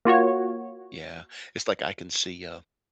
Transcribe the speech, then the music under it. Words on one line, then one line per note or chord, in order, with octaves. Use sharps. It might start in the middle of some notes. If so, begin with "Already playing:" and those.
Yeah, it's like I can see, uh
A#3 F4 F#4 C#5